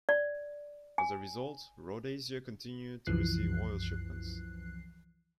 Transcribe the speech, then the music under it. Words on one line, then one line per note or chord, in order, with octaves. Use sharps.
As a result, Rhodesia continued to receive oil shipments.
D5
G#5
C2 F#2 E3 F3 F#6 C7